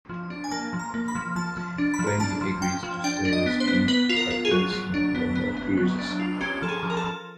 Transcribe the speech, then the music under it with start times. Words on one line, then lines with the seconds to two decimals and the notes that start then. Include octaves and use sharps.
Peggy agrees to stay with Pete but tells him no more cruises.
0.09 F3
0.30 D4
0.44 G#5
0.51 A#3 A5
0.73 F3
0.79 A#5
0.94 A#3
1.08 B5
1.15 F3
1.36 F3 A5
1.57 F3
1.78 D4
1.94 B5
1.99 F3
2.07 A#5
2.20 D4 A5
2.41 F3
2.62 F3 G5
2.83 F3
3.04 D4 G5
3.25 D4
3.33 D#5
3.46 B3
3.60 C5
3.67 B3
3.88 B3 B4
4.09 F4
4.16 A#4
4.31 F4
4.45 G#4
4.51 F#3
4.73 F#3
4.94 D4
5.15 B3
5.35 B3
5.57 B3
5.77 F#3
5.99 D4
6.20 F4
6.41 C#4 G4
6.62 F3 A4
6.69 G#4
6.83 F3
6.90 A#4
6.97 A4
7.04 F3